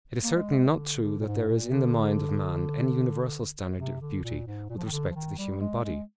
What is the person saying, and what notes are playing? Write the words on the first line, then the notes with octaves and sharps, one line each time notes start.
It is certainly not true that there is in the mind of man any universal standard of beauty with respect to the human body.
A#3
G#3
D3
D3
A#2
G#2
A#2
D3
C3
D3
A#2
G#2
A#2
F3
D#3
D3
F3
D#3
G3
G#3
G#3